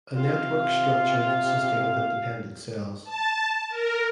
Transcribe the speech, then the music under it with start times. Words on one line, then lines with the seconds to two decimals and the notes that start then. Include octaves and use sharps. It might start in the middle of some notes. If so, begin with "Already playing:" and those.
A network structure consisting of independent cells.
0.18 C3 F4 F5
3.04 A5
3.69 A#4